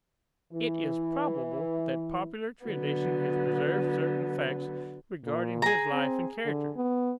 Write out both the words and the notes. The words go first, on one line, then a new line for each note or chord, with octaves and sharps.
It is probable that popular tradition has preserved certain facts regarding his life and character.
E3 E4
D3 F#3 B3
A#2
G#4 A#5
C4
D3
B3